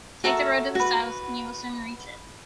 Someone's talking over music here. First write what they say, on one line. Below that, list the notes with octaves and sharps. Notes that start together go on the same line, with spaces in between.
Take the road to the South and you will soon reach it.
F#4 A4 A#4 E5
F#4 B4